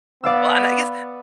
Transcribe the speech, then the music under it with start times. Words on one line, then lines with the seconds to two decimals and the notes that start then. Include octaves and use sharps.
Well and I guess
0.24 B3 D5 F5 E6